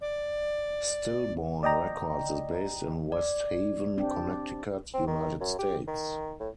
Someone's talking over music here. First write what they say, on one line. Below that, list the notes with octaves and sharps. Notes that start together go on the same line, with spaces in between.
Stillborn Records is based in West Haven, Connecticut, United States.
D5
D5 D#5 G5 A#5
D5
C4 D4 G4
C4
D#3
F#2
G4
D#3
A2